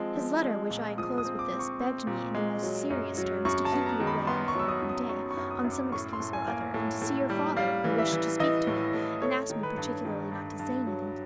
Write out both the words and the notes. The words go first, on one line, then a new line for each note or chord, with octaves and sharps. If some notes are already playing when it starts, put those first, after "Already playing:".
His letter, which I inclose with this, begged me, in the most serious terms, to keep you away on the following day, on some excuse or other, and to see your father, who wished to speak to me, and asked me particularly not to say anything to you about it.
Already playing: F3 G#3 C4
F3
G#3
A#2
F3 D#6
D#6
C4
D6
C4
C#6
C4
A#2
G#3
F#3
F#2
F#3
F#2 C#6
A5
B3
A#5
D#3
B5
B3 C6
C#6
F#3 E6
D#6
F#2
D#6
F#3 C#6
C#6
F#2
D#6
F#2
D6
A2 C#6
C6
A2
G#5
A#3
A2
A2
G3
G3 F5
E3
E5
E3
E3 D#5
A2
A2
A3 C#5
D#3
B4
G2
D#3
G2
G2
F#3